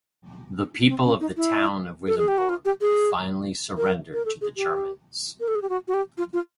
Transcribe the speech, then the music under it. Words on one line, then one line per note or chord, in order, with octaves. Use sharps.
The people of the town of Wissembourg finally surrendered to the Germans.
C4
C#4
D#4
E4
A4
G#4
G4
F#4
F4
G4
G#4
A#4
A#4
A4
G#4
G4
A#4
A4
G#4
G4
F#4
F#4
G4
F4
F4